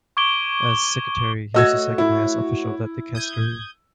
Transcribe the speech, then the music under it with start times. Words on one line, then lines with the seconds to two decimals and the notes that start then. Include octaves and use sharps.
As Secretary, he was the second-highest official of that dicastery.
0.17 C#6 D6 G#6 D7 G7
1.54 A3 F#4 C#5 D#5 E6 G#6
1.98 E4
3.15 D#6 G6 G#6